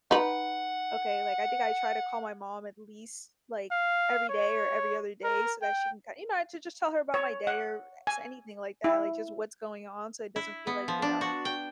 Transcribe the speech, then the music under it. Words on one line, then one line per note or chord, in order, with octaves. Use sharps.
okay, like, I think I try to call my mom at least, like, every day or every other day so that she can kin you know, to just tell her about my day or s anything like that, like, just what's going on, so it doesn't feel like, you know,
D#4 B4 F#5
F5
C#5
A#4
G5
C#5
F#5
G#5
E4
E4
B3
F3
D4
F#4
G5